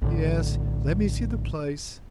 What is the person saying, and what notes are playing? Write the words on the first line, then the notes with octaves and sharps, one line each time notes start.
Yes, let me see the place.
A#1 A2 D3